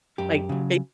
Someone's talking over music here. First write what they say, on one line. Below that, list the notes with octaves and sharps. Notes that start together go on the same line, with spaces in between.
like, they
F#2 G4
C#3 F#3